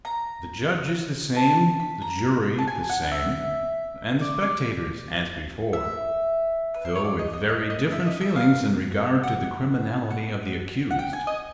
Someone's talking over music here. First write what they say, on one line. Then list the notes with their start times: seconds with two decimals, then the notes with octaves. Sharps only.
The judge is the same, the jury the same, and the spectators as before; though with very different feelings in regard to the criminality of the accused.
0.05 A#5
1.36 A5
1.80 B5
2.02 A#5
2.58 A5
2.67 G#5
2.89 F#5
3.12 E5
4.21 D5
4.42 D5
5.73 E5
6.74 B4
6.85 C5
6.95 C#5
7.05 D5
7.19 D#5
7.33 D#5
7.48 D#5
7.70 D#5
7.92 E5
8.07 D#5
8.21 E5
8.36 F5
9.23 F#5
10.10 F#5
10.91 F#5
10.99 G5
11.13 G#5
11.27 D#5